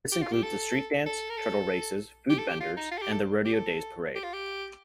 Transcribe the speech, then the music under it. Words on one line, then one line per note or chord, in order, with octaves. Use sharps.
This includes the Street Dance, Turtle Races, food vendors, and the Rodeo Daze Parade.
G4
F4
G4
A4
A4
A#4
A4
G4
A4
G4
F4
D#4
F4
A4
G4
A4
G4
A4
G4
F4
G4